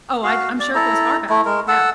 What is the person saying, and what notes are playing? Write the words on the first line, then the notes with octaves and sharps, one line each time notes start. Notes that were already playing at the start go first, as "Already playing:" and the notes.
Oh, I'd I'm sure it goes far back. Yeah.
F#4 F5
D5
E4 A4 A#5
A3 E4
G#3 A#4
A4 F#5 E6